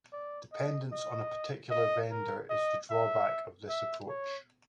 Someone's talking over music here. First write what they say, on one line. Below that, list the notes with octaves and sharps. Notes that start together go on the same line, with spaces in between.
Dependence on a particular vendor is the drawback of this approach.
D5
D#5
D#5
D#5
A#4
D#5
E5
E5
C#5